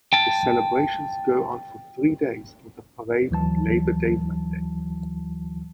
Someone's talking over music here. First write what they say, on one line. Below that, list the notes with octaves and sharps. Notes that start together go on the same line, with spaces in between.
The celebrations go on for three days with a parade on Labour Day Monday.
G5 A5
D2 E3 F#3 A5